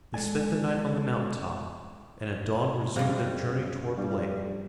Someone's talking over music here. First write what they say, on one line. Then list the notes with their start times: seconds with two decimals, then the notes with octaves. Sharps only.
They spent the night on the mountain-top, and at dawn resumed their journey toward the lake.
0.14 G#3 A4 D5 G#5
2.96 F#2 G3 G#3 C4 G#4 C5 F5 A#5
3.97 G2 G3